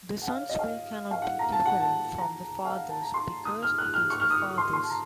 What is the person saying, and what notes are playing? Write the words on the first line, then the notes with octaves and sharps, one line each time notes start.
The Son's will cannot be different from the Father's because it is the Father's.
F#5
F5
C#5
D#5
F5
F5
F#5
A#5
A5
F#5
A5
A#5
F5
F#5
A5
A#5
C6
D#6
F6
F#6
F6
C#6
F6
D#6
C#6
C6
C6
A5
A#5